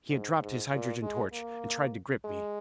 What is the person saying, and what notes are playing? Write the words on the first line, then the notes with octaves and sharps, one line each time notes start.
He had dropped his hydrogen torch, and tried to grip me.
G#2
G#2
A#2
G#3
A#3
G#3